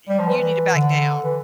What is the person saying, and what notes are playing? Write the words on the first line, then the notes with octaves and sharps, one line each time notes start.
you need to back down
G3
F3
E3
D3
E3